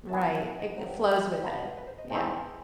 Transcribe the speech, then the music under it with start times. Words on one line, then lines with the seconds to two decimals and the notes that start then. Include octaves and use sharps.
Right. Like, flows with it, yeah.
0.09 F#2 E3 B3 A5
0.25 A5
0.43 F#5
0.60 D#5
0.77 G2 F#3 C4
1.38 B4
1.43 B2 F#3 B3 C5
1.59 D#5
1.77 B4
1.87 C5
1.98 D#5
2.10 E2 D#3 A3 C4